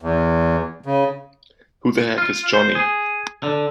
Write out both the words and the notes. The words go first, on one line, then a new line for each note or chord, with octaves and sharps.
Who the heck is Johnny?!
E2
C#3
F4
C5
G#4
D3